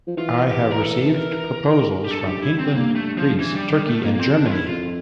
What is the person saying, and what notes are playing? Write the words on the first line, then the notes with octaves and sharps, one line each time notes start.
I have received proposals from England, Greece, Turkey and Germany.
F3
E3 F4
G4
A#4
A4
A#4
G4
G2 A4
G4
E4
C4
A#3
A3
F3
E3
G3
G3
A3
F2 A#3
A#3
C4
E2 D4
F4
E4
F2 F4